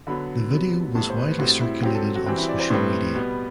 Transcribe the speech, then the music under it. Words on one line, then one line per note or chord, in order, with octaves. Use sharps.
The video was widely circulated on social media.
D3 F#3 B3 B5
C3 F#3 B3
A2 G3 B3 A5
C5
B4
B4
A2 G3 C4 F#4
E4
C3 F#3 C4 G4
A4
A4
F#4
E3 G3 C4 F#4
E4
D5
C5
A2 G3 C4 B4
B2 G3 B3